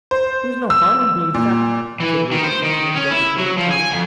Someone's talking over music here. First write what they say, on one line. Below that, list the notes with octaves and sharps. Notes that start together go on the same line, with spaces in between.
"There's no harm in being fat," said Ruby in a deprecating tone.
C5
E6
A#2
E3
D#3
C5
D#3
C#4
E4
F#3
F3
G#5
F2